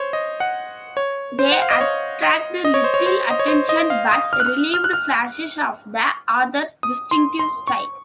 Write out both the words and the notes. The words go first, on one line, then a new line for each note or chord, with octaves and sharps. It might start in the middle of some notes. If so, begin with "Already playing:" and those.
They attracted little attention but revealed flashes of the author's distinctive style.
Already playing: C5 C#5
D#5
F#5
C#5
C5
F#5
F5
D#5
C#5
D#5
D#5
C#5
C5
C#5
C5
D#5
C#5
C5
D#5
F5
D#6
F6
F#6
F6
F6
F#6
F6
D#6
C6
C6
C#6